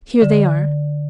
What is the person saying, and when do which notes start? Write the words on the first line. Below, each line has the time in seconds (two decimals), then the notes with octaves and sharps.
"Here they are."
0.22 D3